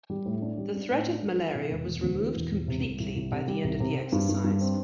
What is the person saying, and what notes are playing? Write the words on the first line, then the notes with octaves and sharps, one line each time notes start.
The threat of malaria was removed completely by the end of the exercise.
G3
A2
D4
G3
D4
A2
D4
G3
E3
C3
E1
E1
D2
E3
E1
E1
C3
C2
C2
C2
C3
G3
C2
C3
C4
G2
G2
G2
C4